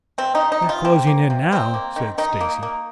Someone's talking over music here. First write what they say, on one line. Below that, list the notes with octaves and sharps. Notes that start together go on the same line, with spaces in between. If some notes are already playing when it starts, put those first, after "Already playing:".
"They're closing in now," said Stacy.
C3 C4
D#4
C3
D#4
C3
F4
A#3 C4
A#3
C3
D#3 C4
A#3
D#3
D#3 D#4
A#3
A#3